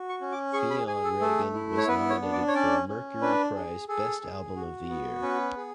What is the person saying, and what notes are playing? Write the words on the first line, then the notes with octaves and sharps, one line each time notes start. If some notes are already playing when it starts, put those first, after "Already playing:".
Fionn Regan was nominated for a Mercury Prize Best Album Of The Year.
Already playing: F#4
C#6
C#4
D6
G#4 C#6
B5
G#4 G#5
A4
A3 A4
E4
C#5
B3 B4
C#5
D4
D5
C#5
C#4 D5
C#4
D4 B4
G#4
G#4 A4
G#4
F#4
B3
C#4 B4
G#4